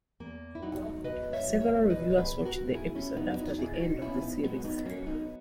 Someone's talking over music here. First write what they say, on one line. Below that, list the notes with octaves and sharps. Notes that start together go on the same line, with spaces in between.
Several reviewers watched the episode after the end of the series.
E2 A#3
E4
F#3 D#4 F#4
B2 B4 D#5
C#5 E5
E2
C#5 E5
E2 B4 D#5
C#5
G#4 B4
B2
F#4 A#4
B2 E4 G#4
C#4 E4
E2 B3 D#4
E4
D#4 F#4
A#2 E4 G#4
D#4 F#4
A#2 C#4 E4
B3 D#4
F#3 G#3 B3
B3 D#4
F#3 A#3 C#4
B3 D#4